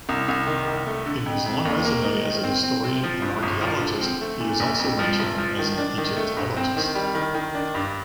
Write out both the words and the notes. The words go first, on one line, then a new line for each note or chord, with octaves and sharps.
In his long resume as a historian and archeologist, he is also mentioned as an Egyptologist.
C2
C2
D#3
C2
A3
D3
F2
F2
D#2
A#3
D#4
D#3
C4
C4
C4
F3
G2
G1
F3
D3
C4
A3
A#2
A#1
F2
F3
F1
F3
D#3
D4
D#3
A3
G2
C4
D#3
G3
D#3
D#3
D4
G2